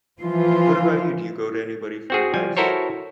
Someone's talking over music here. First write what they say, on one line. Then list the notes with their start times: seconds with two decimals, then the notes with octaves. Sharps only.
what about you? Do you go to anybody for advice?
0.22 E3 F3 F4
2.10 C4 F#4 G#4
2.34 F3 G3 G#5
2.57 E4 F#4 A4 A#4 C5 C#5